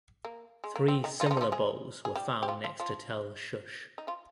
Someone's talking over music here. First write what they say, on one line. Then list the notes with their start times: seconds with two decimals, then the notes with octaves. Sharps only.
Three similar bowls were found next to Tel Shush.
0.25 A#3
0.64 G#3
0.76 A#3
0.88 C4
1.04 D#3 D#4
1.20 F3 F4
1.26 D#4
1.31 F3 F4
1.37 D#4
1.41 F3 F4
1.52 G#3 G#4
2.05 G#4
2.16 G3 G4
2.43 G4
2.48 F3 F4
2.64 F3 F4
2.80 F3 F4
3.98 D#4
4.07 F3 F4